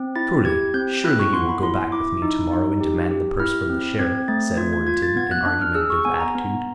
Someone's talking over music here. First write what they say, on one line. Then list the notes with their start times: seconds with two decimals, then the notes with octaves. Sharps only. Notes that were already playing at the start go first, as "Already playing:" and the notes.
"Surely, surely, you will go back with me to-morrow and demand the purse from the Sheriff?" said Warrenton, in argumentative attitude.
Already playing: C4
0.16 E4 A6
0.45 G4 G#6
0.74 C4 G6
1.04 E4 F#6
1.19 C#6
1.33 B3 C6
1.49 B5
1.63 E4 C6
1.92 E4 D6
2.22 D#4
2.51 D#4
2.81 G4
3.11 G4
3.40 E4 F6
3.70 C4
3.99 C4 G#6
4.28 A3 A6
4.57 F4 G#6
4.73 G#6
4.87 F4 G#6
5.02 A6
5.16 B3 G#6
5.31 F#6
5.46 D4 F#6
5.61 F6
5.75 G#4 E6
5.90 C#6
6.05 B3 G#5
6.19 A#5
6.35 B3